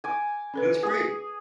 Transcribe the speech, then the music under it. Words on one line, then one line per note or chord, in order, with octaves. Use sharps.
That's great!
G#5 D6
C#4 A4 B4
G#4 D#6